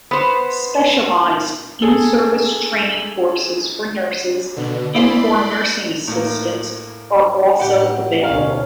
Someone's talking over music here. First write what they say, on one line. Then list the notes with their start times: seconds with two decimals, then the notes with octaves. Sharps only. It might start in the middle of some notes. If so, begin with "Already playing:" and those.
Specialized, in-service training courses for nurses and for nursing assistants are also available.
0.11 B3 C5
1.82 G#4 A4
4.57 B2 D3
4.95 E4 G#4 C5 D5 B5 C6
6.08 A2 A#3
7.60 A2 G4 F#5
8.23 D2 B2 C#4 F5